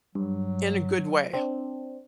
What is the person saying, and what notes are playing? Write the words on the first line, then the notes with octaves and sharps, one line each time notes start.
in a good way,
G2 F#3
C4 D4